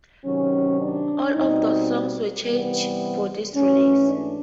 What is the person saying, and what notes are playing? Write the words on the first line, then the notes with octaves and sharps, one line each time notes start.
All of those songs were changed for this release.
C3 D#3 F#3 C#4
D4
B2 G3 C4 D#4
C3 E3 G3 B3
G#2 E3 A3 C#4
D4